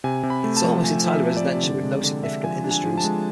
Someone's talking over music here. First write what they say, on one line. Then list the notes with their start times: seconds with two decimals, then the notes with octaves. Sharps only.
It is almost entirely residential, with no significant industries.
0.04 C3 G#5
0.23 C3
0.30 B5
0.44 A3
0.57 A5
0.64 F3
0.84 A3 G#5
1.04 F3
1.10 E5
1.24 A3
1.37 D5
1.44 C3
1.63 D3 D5
1.83 G#3
2.04 D3 D5
2.23 D4 E5
2.43 F3 G#5
2.64 D4
2.71 G#5
2.84 F3
2.98 A5
3.04 G#3